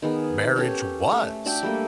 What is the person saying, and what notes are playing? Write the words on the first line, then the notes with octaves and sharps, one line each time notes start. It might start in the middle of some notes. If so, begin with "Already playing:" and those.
marriage was,
D#3 B3 G#4
C#4 G4 A4 C#5
A3
D4 F#4 E5 G5
G3 A3 A#3